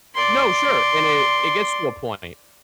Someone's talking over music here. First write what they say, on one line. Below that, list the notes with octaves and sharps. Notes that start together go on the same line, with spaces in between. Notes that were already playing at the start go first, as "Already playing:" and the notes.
No, sure, and it it gets to a point.
D5 C6